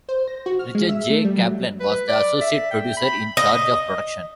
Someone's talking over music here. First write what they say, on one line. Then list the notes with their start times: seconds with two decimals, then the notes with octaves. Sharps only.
Richard J. Kaplan was the associate producer in charge of production.
0.09 C5
0.28 A#6
0.46 F#4
0.59 F6
0.75 G#3
0.89 E5
1.10 A3
1.25 G3
1.37 F#3
1.80 B4
2.08 D5
2.41 E5
2.71 G5
2.97 B5
3.37 D#5